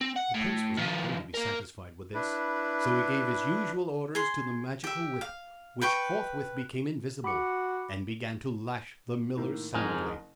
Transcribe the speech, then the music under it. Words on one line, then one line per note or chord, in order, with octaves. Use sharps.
The prince was not going to be satisfied with this; so he gave his usual orders to the Magical Whip, which forthwith became invisible, and began to lash the miller soundly.
C4
F#5
A2
D#3 F3
A#3 A#4
D4 E4 B4
G#4 C6
G4 E5
F5
B4 G5 C#6
F#4 B5 D6 C#7
A2 D#3 A#3
F#1 F2 G#2 D#4 A#4 G#5